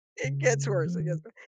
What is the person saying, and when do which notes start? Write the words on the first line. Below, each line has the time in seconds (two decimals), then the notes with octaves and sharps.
It gets worse, It gets wor
0.24 C#3
0.86 F3
1.00 D#3